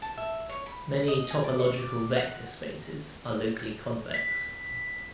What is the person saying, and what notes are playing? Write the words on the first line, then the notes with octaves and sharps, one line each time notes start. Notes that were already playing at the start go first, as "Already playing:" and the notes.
Many topological vector spaces are locally convex.
A5
E5
C#5
B5
D#5
G#5
D5
C#6
D5
F#5
B6